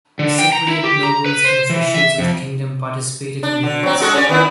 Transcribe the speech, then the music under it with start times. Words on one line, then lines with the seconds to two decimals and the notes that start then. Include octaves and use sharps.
Cypriot nobles and officials of the kingdom participated in the raids.
0.19 D3
0.38 G5
0.52 A#5
0.67 E4
0.84 G4
1.03 A#5
1.26 B4
1.44 C5
1.70 E3
1.94 E5
2.18 F2
3.43 D4
3.63 D3
3.83 F#3 C4
4.00 G#3 F#4 A4
4.14 C#4 D5
4.29 D#3 B3 E4